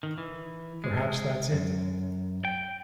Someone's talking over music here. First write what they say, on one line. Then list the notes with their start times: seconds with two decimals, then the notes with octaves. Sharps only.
Perhaps that's it.
0.03 D#3
0.18 E3
0.84 G#3
1.52 F#2
2.45 G5